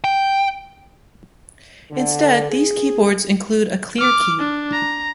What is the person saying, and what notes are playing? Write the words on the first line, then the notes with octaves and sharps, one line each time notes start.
Instead, these keyboards include a "Clear" key.
G5
D3
G#4
D6 F6
D4
A#5